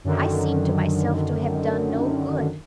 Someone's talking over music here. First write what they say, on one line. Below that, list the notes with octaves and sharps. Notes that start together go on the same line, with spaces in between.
I seemed to myself to have done no good.
F#2 D3 D#3